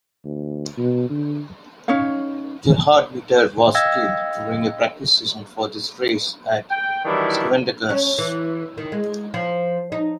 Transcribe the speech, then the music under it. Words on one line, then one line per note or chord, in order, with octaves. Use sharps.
Gerhard Mitter was killed during a practice session for this race at Schwedenkreuz.
D2
B2
D3
C#4 D#4 C#5 F5
D#5 F5 G5 E6 G#6 A#6
G5
D#3 E3 F#3 G3 D4 E4
C#4
E3
D#3
G#3
F3
D#4